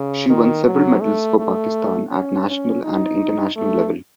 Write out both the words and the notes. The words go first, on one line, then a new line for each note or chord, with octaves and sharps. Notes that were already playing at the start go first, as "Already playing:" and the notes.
She won several medals for Pakistan at national and international level.
Already playing: C#3
D#3
F#3
A3
A3
C#4
C#4
D#4
A3